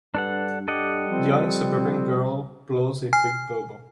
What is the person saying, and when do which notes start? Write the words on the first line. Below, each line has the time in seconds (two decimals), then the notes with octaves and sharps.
Young, suburban girl blows a big bubble.
0.15 G2 D4 A4 B4 F#5
0.68 G3 G4 A4 D#5 F#5
1.10 F3 C4
3.13 G#5 F6 C7